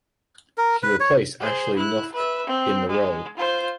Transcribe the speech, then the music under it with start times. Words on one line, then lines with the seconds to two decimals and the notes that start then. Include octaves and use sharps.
He replaced Ashley Noffke in the role.
0.58 A#4
0.83 B4
1.00 C#5
1.40 G#4 C5
1.76 E4 F#6
2.12 B4 E5
2.46 C4
2.89 G#3
3.37 F4 C5